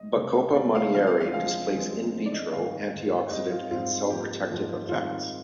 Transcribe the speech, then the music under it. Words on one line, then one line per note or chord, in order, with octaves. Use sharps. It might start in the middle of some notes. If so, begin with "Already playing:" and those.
"Bacopa monnieri" displays "in vitro" antioxidant and cell-protective effects.
Already playing: D#5
C3 G3 A#3
C3 G3 A#3 D5
F5
D3 F3 G#3 C4 F5
F5
F5
D3 F3 G#3 C4 F5
D3 F3 G#3 C4
D3 F3 G#3 C4
D5
D#5
G#2 D#3 G3 A#3 F5
G#2 D#3 G3 A#3
G#2 G3 C4 D#5
F4
G#2 G3 C4 F4
G#2 F3 A#3 G4
G#2 F3 A#3
G#2 D#3 G3 C4 F4